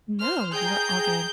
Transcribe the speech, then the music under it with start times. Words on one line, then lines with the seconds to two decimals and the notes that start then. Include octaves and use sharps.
No, you were all good.
0.20 C5 F6
0.52 G#4 G5 A#5 G6